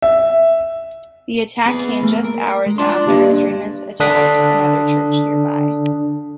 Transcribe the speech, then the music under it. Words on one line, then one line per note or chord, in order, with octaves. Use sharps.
The attack came just hours after extremists attacked another church nearby.
E5
B3 G#4 B4
A3 A#3
A#4
G#3
D4 F4 A5 C6
G2 D3 A#3 D#5
D3 D4 D#6 F#6 B6